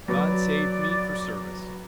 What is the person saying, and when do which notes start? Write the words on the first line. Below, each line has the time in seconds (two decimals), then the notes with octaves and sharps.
God saved me for service.
0.08 F#3 B4 D5